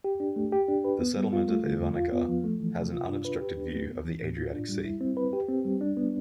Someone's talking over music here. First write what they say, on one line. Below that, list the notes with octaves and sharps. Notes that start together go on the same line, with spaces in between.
The settlement of Ivanica has an unobstructed view of the Adriatic sea.
G4
D4
A3
G4
D4
B4
B3
G3
F4
A3
D3
E2
F4
B3
F3
A3
E3
C3
F4
D4
B4
G4
D4
A3
B3
E3
A2
F4
D4
G3
E4
C4
B4
G4
C4
G3
D4
B3